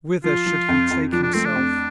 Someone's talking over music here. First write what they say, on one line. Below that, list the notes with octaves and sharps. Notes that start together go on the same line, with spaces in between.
Whither should he take himself?
F3 F4
F3
F2
F2
F3 D4
D4
A3 C4
D4
F2